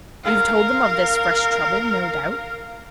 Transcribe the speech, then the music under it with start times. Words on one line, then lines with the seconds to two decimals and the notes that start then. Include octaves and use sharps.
"You've told them of this fresh trouble, no doubt."
0.24 A#4 F5